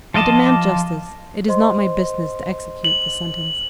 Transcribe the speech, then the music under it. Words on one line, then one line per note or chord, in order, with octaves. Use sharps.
I demand justice; it is not my business to execute the sentence.
F3 F4 D#5 A5 D6
C5 D#5 C6
F#7